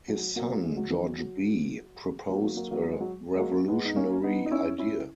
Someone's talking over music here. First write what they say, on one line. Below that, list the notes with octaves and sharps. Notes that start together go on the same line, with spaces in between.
His son George B proposed a revolutionary idea.
F#3
F#3 A#3
G#3
F#3
E3
F#3
F#3
F#3 A#3
F#3 A#3
F#3 A#3
F#3 A#3
F#3
G#3
F#3
G#3
F#3 A#3
G#3 B3
D#4
A#3 C#4
B3 D#4
D#4
C#4 E4
C#4 E4